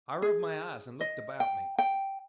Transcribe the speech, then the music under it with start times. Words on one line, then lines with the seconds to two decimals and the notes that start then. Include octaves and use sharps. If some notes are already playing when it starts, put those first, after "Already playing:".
I rubbed my eyes and looked about me.
0.22 G#4
1.01 D#5
1.40 G5
1.78 G5